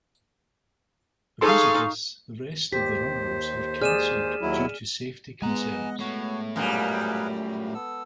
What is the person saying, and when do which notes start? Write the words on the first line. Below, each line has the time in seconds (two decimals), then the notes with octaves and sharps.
Because of this, the rest of the rumbles were canceled due to safety concerns.
1.41 D#4 G#4 A4 F5 C6 C#6
2.73 D#2 G4 C5 B6
3.82 G#4 D5 F6 D#7 E7
4.41 D#2 F#3 E4
5.42 G#3 B3 D#5 F#5 G#5 A#5
6.00 A2 F#4 C#5
6.56 F#2 A#2 G3 G#4 A#4 B4
7.74 B3 A4 E6